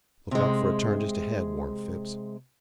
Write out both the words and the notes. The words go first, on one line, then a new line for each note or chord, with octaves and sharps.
"Look out for a turn just ahead," warned Phipps.
C3 G#3